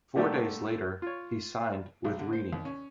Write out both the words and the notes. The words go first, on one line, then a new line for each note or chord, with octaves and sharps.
Four days later, he signed with Reading.
A#2 D3 G3 A3 G4 A4
F4 C#5
B1
D3
C5
D#2
C#4